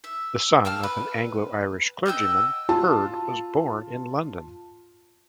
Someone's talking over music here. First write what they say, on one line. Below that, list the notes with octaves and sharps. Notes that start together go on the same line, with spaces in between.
The son of an Anglo-Irish clergyman, Heard was born in London.
E5
A#3 G5 A5 F6
B4
D#5 F#5 G5 E6
F4 A5